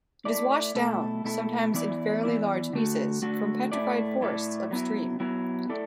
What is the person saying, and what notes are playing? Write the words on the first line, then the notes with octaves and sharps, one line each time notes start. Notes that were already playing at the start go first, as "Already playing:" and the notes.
It is washed down, sometimes in fairly large pieces, from 'petrified forests' upstream.
A3 E4 D5
B2 A3 E4 A4
B2 A3 E4 A4
E3 B3 E4 D5
E3 B3 E4 D5
D3 A3 F#4
D3 A3 F#4
A2 A3 E4 D5
A2 A3 E4 D5
F#3 B3 E4
F#3 B3 E4
A3 E4 A4 D5